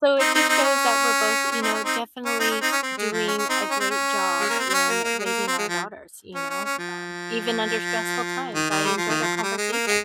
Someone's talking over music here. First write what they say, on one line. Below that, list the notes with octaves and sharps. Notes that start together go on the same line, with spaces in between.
so it just shows that we're both, you know, definitely doing a great job in raising our daughters, you know, um, even under stressful times. I enjoyed our conversation.
C4 D#4
C4 D#4
C4 D#4
C#4
C#4
C4 D#4
C#4
C4 D#4
C#4
C4 D#4
C#4
C4 D#4
C#4
C4
G#3
F3
C#4
C#4
C4 D#4
D#4
C#4
C4
C#4
G#3
A#3
C4
C4
C#4
A#3
A#3
G#3
A#3
C4
G#3
F3
C#4
C#4
C#4
F3
D#3
D#3
G3
F3
D#3
F3
F3
G3
G#3
A#3
G#3